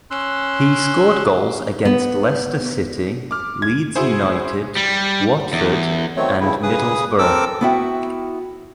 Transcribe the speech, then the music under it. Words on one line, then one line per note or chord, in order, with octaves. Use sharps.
He scored goals against Leicester City, Leeds United, Watford and Middlesbrough.
C#4 C6 E6 F#6
B3
D6 F6
G#6
E4 F#4 G#4 C5
G3
E2
D#3 F#3 A3 C4 C#5
G2 C#3 E4
C#3 G#4 B4 D#6
C4 A4 A#4 D6 E6
B3 E4 F#4 E5 G5